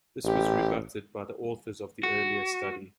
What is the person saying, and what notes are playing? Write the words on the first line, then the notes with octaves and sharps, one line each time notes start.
This was rebutted by the authors of the earlier study.
A1 G4
F#4